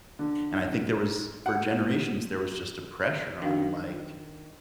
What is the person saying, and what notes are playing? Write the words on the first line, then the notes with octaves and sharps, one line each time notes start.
and I think there was for generations, there was just a pressure on, like,
D3
F#5
D#3 D4 F#4 F5